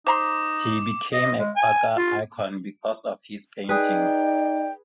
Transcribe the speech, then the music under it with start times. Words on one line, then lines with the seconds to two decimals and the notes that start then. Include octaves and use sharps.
He became a Quaker icon because of his paintings.
0.07 D#4 C5 A#5 C6 D6
1.13 D#5
1.39 G#3
1.56 G#5
1.97 F4
3.69 D#4 G#4 B4 D5 G5